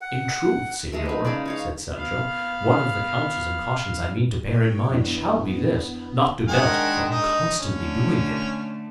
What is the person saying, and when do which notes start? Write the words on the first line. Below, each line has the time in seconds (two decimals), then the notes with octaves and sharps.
"In truth, senor," said Sancho, "one of the counsels and cautions I mean to bear in mind shall be this, not to belch, for I'm constantly doing it."
0.01 F#5
0.92 G#3 A3 A#4
1.05 D#4 B4
1.25 C#3 D#4 G#4 D5
1.46 D#4 C#5 F5
1.93 B3 F5
4.41 C#5 G5
4.90 F2 B3 D4 E4
6.48 D#3 G#3 D4 A#4 F#5 G#5
7.11 D#4
7.59 D3 A3 C#4